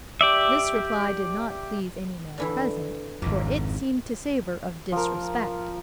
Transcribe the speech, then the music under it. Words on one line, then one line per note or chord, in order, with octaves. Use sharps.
This reply did not please any man present, for it seemed to savour of disrespect.
G4 D5 E5
D3 E3 E4
G#1 F2 A#3
F3 A#4